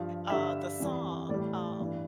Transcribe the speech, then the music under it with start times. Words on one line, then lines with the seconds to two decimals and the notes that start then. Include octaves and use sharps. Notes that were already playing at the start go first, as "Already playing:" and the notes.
uh, the song, um
Already playing: G2 F3
0.30 G2 D3 G3 E5
0.80 F2 E3 G3
1.29 A2 E3 G3 D5
1.80 G2 E3 G3